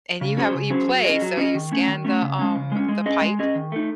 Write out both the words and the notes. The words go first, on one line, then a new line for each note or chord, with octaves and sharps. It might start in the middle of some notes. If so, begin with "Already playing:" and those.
and you have you play, so you scan the, um, the pipe,
C#3
F#3 C#4 G#4 C5
C#3
F#3 C#4 G#4 C5
F#3
C#4 G#4 D#5
F#3
C#4 G#4 D#5
D#3
A3 C#4
D#3
A3 C#4
C#3
G#3 C#4
C#3
G#3 C#4
G#3
C#4 G#4 D#5
G#3
C#4 G#4 D#5
D#3
A3 D#4